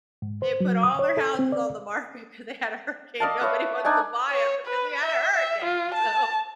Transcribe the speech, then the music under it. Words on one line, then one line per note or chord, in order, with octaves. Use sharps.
they put all their houses on the market 'cause they had a hurricane, nobody wants to buy 'em because we had a hurricane! So
G#2
C5
F#3
D#6
C#5
A4
C4
D5
D5 D#5 F5 A5
B4 C#5 E5 D#6
D4 D#4 D5 G#5
C#5
B4
E5
E5
F4
A5